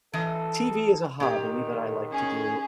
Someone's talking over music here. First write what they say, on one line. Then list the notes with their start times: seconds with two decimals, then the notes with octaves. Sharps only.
TV is a hobby that I like to do.
0.13 E3 A4 D#5
1.20 A#2 D#3 G4
2.11 C#4 G#4